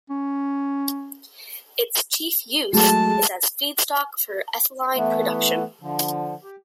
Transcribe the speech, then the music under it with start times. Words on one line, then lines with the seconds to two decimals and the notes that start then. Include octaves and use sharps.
Its chief use is as feedstock for ethylene production.
0.10 C#4
2.73 F#3 G#3 A3 G#4 A5
4.96 E3 A3 B3
5.82 D3 F3
6.44 G4